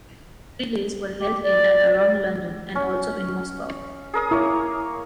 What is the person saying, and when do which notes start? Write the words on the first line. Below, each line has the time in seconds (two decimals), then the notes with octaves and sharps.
Relays were held in and around London and also in Moscow.
1.18 G4
1.42 D5
2.75 C#4
4.14 G#4 A#4 D#6
4.31 A#3 E4 C#5 D6